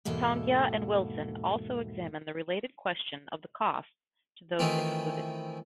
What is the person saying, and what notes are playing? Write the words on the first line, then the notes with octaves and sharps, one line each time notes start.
Tongia and Wilson also examine the related question of the costs to those excluded.
E2 G#2 B2 A#3 A4
D#3 E3 A3 C4 E4 F4